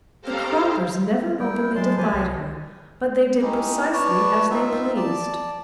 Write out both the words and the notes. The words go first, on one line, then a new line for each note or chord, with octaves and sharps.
The Croppers never openly defied her, but they did precisely as they pleased.
G4 A4 C5 F5 A#5
G3 E4 G5
F#3 G#3 A5 C6
F3 G4 G#5 A5
C2
C#4 D#4 E4 G4
B4 C#5 D5 A5
C4 D#4 F4 E5
D5 A5